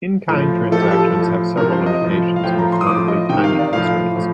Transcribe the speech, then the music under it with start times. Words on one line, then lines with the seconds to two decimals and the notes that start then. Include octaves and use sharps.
In-kind transactions have several limitations, most notably timing constraints.
0.29 A2 F3
0.71 A2 F3 A4
0.82 G4
0.91 A4
1.15 A2 F3
1.57 C3 F3 A#4
1.72 C5
1.86 D#5
2.01 A2 F3
2.36 F5
2.43 A2 F3 G5
2.59 A#5
2.72 C6
2.81 D#6
2.87 A2 D6
2.91 F3
3.08 D#5
3.29 C3 D#3 G5
3.44 F5
3.59 D5
3.73 A2 F3 F5
4.16 A2 F3